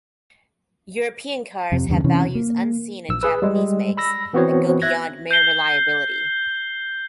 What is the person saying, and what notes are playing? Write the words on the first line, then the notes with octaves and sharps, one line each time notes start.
European cars have values unseen in Japanese makes that go beyond mere reliability.
F2 C3
E2 G2 C#3
C3 E3 C#4
A#3
A#1 E6
G#4 B4 E6
G3 G#3
B5 E6 A#6
E3 B3 C4 F#4 C5 C#5
E5 F#6 G#6 A#6
G6 C7 G7